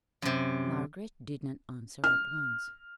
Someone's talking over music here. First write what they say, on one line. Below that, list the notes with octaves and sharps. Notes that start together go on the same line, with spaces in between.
Margaret did not answer at once.
F#2 C3
F6